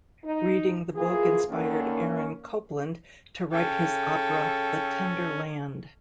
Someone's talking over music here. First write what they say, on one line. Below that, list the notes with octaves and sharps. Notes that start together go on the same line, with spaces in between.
Reading the book inspired Aaron Copland to write his opera, "The Tender Land".
D#4
E3 A#3 F4 G#4
D3 D#3 A#3 C#4
C#3 C#4 A4 G5